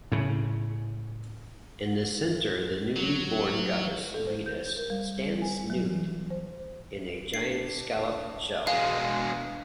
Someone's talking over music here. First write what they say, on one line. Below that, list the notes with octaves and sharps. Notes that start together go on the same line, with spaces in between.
In the centre the newly-born goddess Venus stands nude in a giant scallop shell.
A2 C#3
F#3
A4
C5
G6
A#4
G3
G#5
F#3
E3
C5
D4 C7
B2 G#3 F5